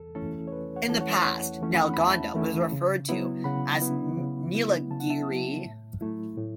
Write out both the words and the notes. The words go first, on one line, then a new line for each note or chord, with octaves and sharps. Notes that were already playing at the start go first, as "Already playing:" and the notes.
In the past, Nalgonda was referred to as "Nilagiri".
Already playing: E2 A4
E3 A3 C#4 E4 A4
C#5
E2 B4
C#5 F#5
E3 A3 C#4 E4 A5
C#5 F#5
E2 C#5 F#5
E3 A3 C#4 E4
F#5 B5
B5
E2 E5 A5
E3 A3 C#4 E4
C#3
F#3 B3 E4
C#3 F#5 B5
F#3 B3 E4
C#3
F#3 B3 E4
C#3 A5
F#5
E5 A5
F#3 B3 E4
A2
F#3 A3 E4
A2